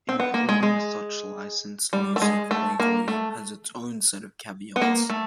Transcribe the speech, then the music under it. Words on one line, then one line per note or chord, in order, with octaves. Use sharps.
Including such licensed music legally has its own set of caveats.
C4
B3
A#3
G#3
G#3
G3
A3
G#3
A3
A#3
A3
B3
A#3
A3